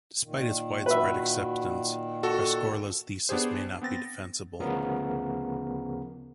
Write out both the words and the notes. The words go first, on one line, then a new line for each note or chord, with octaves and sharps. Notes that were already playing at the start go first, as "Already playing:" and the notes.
Despite its widespread acceptance, Rescorla's thesis may not be defensible.
A#2 D#3
F#4 B4 E5
F#4 A4
B3 D4 G4 G#4 C5
B3 C4 A6 A#6
D2 C#3 F3 B3 A#4